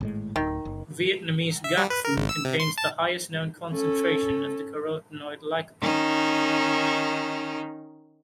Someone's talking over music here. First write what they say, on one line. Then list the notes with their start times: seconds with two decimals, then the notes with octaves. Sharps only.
Vietnamese gac fruit contains the highest known concentration of the carotenoid lycopene.
0.01 G#1 A2 G#3
0.36 D1 D2 D#3
0.65 F#1
1.64 E5
1.77 G3
1.90 B4
2.05 A#4
2.16 G#1
2.29 E6
2.45 C3
2.60 C6
2.78 A5
3.72 C#4 A4
5.79 D#3 C#4 D#4